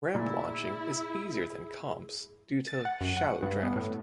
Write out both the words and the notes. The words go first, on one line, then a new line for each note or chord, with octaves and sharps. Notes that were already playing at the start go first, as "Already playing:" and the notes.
Ramp launching is easier than comps due to shallow draft.
A#2 E4 G#4
A6
F#5
F#2
F#5
G2
B3
A2